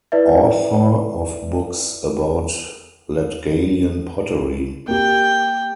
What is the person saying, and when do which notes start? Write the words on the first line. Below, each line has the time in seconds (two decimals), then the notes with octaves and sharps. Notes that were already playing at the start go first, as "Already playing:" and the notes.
Author of books about Latgalian pottery.
0.12 E4 B4 D5 E5
4.88 A#3 G4 G5